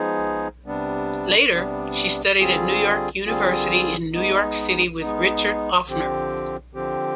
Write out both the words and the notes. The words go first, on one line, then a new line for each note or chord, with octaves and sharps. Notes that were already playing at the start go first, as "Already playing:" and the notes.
Later, she studied at New York University in New York City with Richard Offner.
Already playing: F3 G#3 B3 D#4 G#4
C3 G3 B3 D4
C3 G3 B3 D4
D3 G3 C4 F4 G#4
D3 G3 C4 F4 G#4
G#3 B3 D#4
G#3 B3 D#4
D3 F3 C4 G4
D3 F3 C4 G4